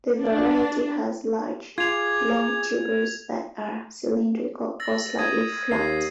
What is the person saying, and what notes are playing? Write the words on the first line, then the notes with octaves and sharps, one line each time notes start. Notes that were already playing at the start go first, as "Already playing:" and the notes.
The variety has large, long tubers that are cylindrical or slightly flat.
D4
F4 G#4 D6 G#6 F7
E6 A6 A#6
D#6 G#6 D#7
D#2 C7